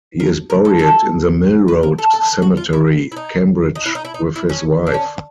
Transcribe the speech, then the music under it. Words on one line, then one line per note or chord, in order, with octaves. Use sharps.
He is buried in the Mill Road Cemetery, Cambridge, with his wife.
A#4
A#4
A4
A4
B4
A#4
A4
A4
F#4
F4
E4
E4
D#4
D#4
E4
D#4
E4
D#4
E4
C#4
D4
C#4